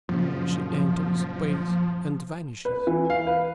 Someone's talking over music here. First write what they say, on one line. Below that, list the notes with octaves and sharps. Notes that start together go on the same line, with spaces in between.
She enters, pays, and vanishes.
F#2 A#2 C#3 F3
B4
E3
F5
B4